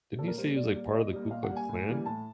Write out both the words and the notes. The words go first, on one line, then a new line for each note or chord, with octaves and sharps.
Didn't he say he was like part of the Ku Klux Klan
A#2 A4
A#4
G3 A#3 C5
A#2 D5
G3 A#3
A#2 D#5
G3 A#3
A#2 F5
F#5
G3 A#3
G#5
A2
E3 G3 A#3
A2 A5